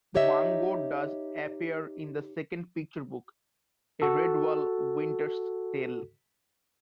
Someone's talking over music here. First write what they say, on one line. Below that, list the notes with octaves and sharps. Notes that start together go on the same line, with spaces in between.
Bungo does appear in the second picture book "A Redwall Winter's Tale".
D#4 G4 C#5 D#5 E5
F#4 A4